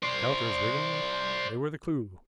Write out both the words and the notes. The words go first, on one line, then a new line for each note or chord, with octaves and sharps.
The counters, Wigan, they were the clew.
C5 D5